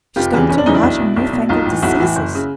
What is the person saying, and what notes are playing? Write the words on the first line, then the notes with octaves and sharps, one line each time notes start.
She is going to enlarge on new-fangled diseases.
F1 F4 G4
E2 C#3 E3
F1 C#4
D4
E2 C#3 E3 C#4 D#4
D4 E4
B1
B2
B1
B2
B1 D#4 F4
A2 E3
B1 E4 F#4
A2 E3
F#1
C#3